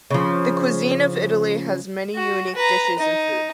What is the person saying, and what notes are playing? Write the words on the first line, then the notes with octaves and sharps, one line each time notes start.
The cuisine of Italy has many unique dishes and foods.
C#3 F3
F#4
B4 A#5
D#4